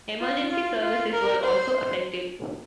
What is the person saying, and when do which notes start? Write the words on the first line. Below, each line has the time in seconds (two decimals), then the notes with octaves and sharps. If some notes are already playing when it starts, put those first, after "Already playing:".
Emergency services were also affected.
0.20 F4
0.51 F4
0.82 F4
1.13 A#4
1.43 C5